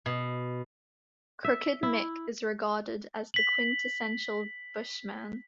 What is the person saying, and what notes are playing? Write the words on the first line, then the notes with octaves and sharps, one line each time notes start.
Crooked Mick is regarded as the quintessential bushman.
B2
E5
E4
B6 F#7